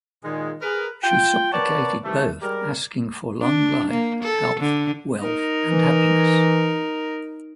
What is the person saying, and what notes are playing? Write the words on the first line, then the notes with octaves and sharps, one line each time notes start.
She supplicated both, asking for long life, health, wealth, and happiness.
A#2 D#3 G#3
G#4 A#4 B4
F4 G5
A#4 B4 C#5 D5 F#5 A5
C3 D#3 E3 G3 A3
G3 G#3 G4 A#4
D4
A#3
A4
D3
D#4 A#4
E3